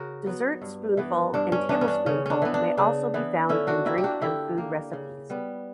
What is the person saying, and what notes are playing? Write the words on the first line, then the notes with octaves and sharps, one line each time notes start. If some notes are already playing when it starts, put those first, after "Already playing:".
Dessert spoonful and tablespoonful may also be found in drink and food recipes.
Already playing: C#3 F#4 A#4
F#3 B3
G2
E3 B3
G2 D4
C#4
E3 B3 D4
C#4
D4
C#3 C#4
C#4 D4
E3 B3
D4
C#3 D4
E3 B3
D3 C#4 E4
D4 F#4
A#3 E4 G4
G4
D4 F#4
D3 E4 G4
A#3
C#3
G3 B3